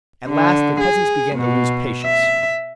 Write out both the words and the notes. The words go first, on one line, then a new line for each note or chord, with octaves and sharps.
At last the peasants began to lose patience.
D3
G#4
B2
E5